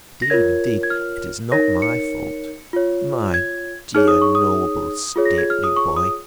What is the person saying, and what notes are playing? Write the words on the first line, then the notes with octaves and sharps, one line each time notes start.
Indeed, indeed, it is not my fault! My dear, noble, stately boy!
A#6
F4 A#4 C#5 G#6
G#6
F6
D#4 A#4 C#5 A#6
C#7
F4 C#5
G#6
D#4 G#4 C#5 F6
D#6
C#6
D#6
F4 G#4 C#5
A#6
G#6
F6
D#6
C#6
D#6